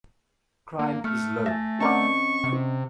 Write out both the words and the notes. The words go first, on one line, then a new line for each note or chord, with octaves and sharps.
Crime is low.
A#3
A3 F6 C#7
E5 G#5 A6 A#6
D3 C4 C#4 A#4 D#5 A5 C#6
C3